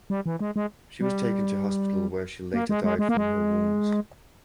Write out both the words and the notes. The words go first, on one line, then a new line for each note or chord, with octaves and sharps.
She was taken to hospital where she later died from her wounds.
G3
E3
G#3
G#3
G3
A#3
G#3
G#3
G#3
A#3
G#3